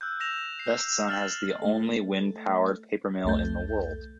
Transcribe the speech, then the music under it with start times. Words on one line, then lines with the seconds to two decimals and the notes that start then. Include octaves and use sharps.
Westzaan has the only wind powered paper mill in the world.
0.01 E6 F#6 G6
0.20 E6 A#6 E7 F7
0.59 C7
1.09 F6 A6 F#7
1.62 A3 A4
3.25 B1 E2 A3 A4 G6